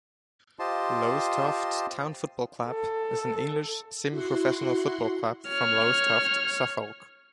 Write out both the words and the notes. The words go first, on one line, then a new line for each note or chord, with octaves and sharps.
Lowestoft Town Football Club is an English semi-professional football club from Lowestoft, Suffolk.
F4 G4 C5 D#5 A5 C6
A4
E4 F#4 F#5 C6
C#5 F6